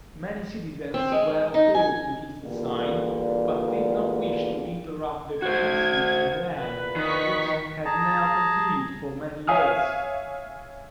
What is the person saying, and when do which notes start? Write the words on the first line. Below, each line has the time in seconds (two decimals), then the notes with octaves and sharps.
Many citizens were opposed to his design, but did not wish to interrupt the peace with Milan, which had now continued for many years.
0.94 C4
1.12 G#3
1.54 D#4
1.75 G#5
2.43 E2 A#2 D3 G3
5.42 F#4 C5 G#6
6.56 E2 A#2 B4
6.96 D#3 C#6 B6
7.85 G#4 A5 A#5
9.47 C#5 E5 F5 G#5 D#6 F6